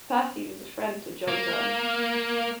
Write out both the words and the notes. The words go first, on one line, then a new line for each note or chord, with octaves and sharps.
Percy was a friend to John Donne.
A#3